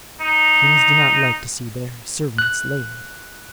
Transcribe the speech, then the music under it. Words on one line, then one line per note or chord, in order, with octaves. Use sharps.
Kings do not like to see their servants lamed.
D#4
F#6